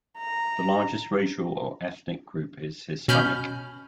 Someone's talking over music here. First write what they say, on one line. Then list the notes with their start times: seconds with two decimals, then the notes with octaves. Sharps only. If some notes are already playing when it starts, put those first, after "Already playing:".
The largest racial or ethnic group is Hispanic.
0.18 A#5
3.08 B2 C#4 B5 F6 G6